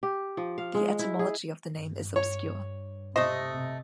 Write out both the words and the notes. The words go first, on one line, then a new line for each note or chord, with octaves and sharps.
The etymology of the name is obscure.
G4
F3
F5
G#3
E4
G#4
G2
C#5
C3 A3 C5 D#5